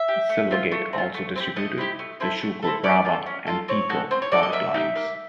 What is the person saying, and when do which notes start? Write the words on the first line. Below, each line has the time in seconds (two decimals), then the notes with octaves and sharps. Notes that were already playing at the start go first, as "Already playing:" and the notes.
Silvergate also distributed the Schuco, Brawa, and Piko product lines.
Already playing: E5
0.08 G4
0.29 A3
0.51 C4 F4
0.72 A3
0.93 C4 F4
1.14 A3
1.36 C4 E4 G4
1.56 A3 D#5
1.78 C4 E4 G4
1.99 A3
2.20 C4 E4 A4
2.41 A3
2.63 C4 E4 A4
2.83 C#4 D5
3.05 F4 A4
3.26 C#4
3.47 F4 A4
3.68 C4 C#5
3.89 D#4 F#4 A4
4.11 C4 C5
4.22 C#5
4.32 D#4 F#4 A4 D5
4.43 D#5
4.53 A#3 E5
4.74 D#4 G4
4.96 A#3